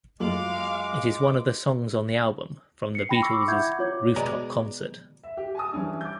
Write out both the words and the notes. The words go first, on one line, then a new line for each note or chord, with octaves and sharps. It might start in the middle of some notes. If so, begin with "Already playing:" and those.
It is one of the songs on the album from the Beatles' rooftop concert.
F#2 G#3 F4 F5 D6 F#7
C7 C#7
G5 B5 A#6 C#7
B5 C#6 D6 E6
E4 E5 F#5 B5 G6 G#6
D6 G#6
F4 C#5 D6
B2 G#3 D5 G#5 A#5
E5
G4
G#5 A5 D#6
E3 G3 C#4 D4
D6 G6